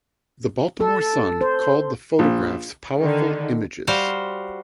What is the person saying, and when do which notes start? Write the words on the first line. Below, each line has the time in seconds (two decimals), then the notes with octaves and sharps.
The "Baltimore Sun" called the photographs "powerful images".
0.80 A4
1.41 C5
2.19 A#1
2.99 D3 D#3
3.87 G3 F#4 C5 F5